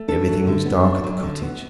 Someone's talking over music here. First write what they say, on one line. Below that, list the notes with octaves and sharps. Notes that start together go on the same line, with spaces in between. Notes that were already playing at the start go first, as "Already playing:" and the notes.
Everything was dark at the cottage.
Already playing: A3
D4 A4
F#3
D3
B3
D4
F#3
D3
B3